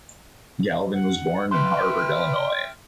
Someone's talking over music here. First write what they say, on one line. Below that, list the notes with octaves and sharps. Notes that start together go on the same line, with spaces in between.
Galvin was born in Harvard, Illinois.
F#5
B4 E5 G5 C6 F6